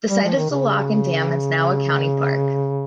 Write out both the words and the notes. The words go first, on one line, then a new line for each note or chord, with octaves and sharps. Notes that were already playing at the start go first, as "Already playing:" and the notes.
The site of the lock and dam is now a county park.
G3
F3
D#3
C#3